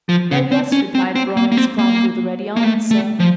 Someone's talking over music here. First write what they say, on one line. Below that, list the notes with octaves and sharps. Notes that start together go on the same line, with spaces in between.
"Oh, yes!" replied Bryce, primed with a ready answer.
F3
C#3
C4
C#4
C4
C4
A#3
A#3
C4
A#3
A#3
A3
A3
F3